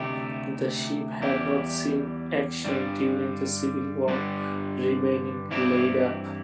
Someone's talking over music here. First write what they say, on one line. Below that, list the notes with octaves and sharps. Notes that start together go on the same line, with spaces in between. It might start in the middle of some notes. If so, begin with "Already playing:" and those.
The ship had not seen action during the Civil War, remaining laid up.
Already playing: D2 C3 A3 E4 G4
E2 E3 G3 E4 G4
G2 D3 G3
G2 D3 G3
G2 E3 C4 E4 G4